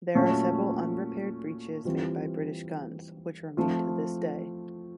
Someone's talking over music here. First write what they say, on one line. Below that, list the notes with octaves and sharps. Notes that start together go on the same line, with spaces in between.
There are several unrepaired breaches made by British guns, which remain to this day.
A#2 F#3 A3 C#4 F4
E3 G3 C4 F4
F3 A3 C4 F4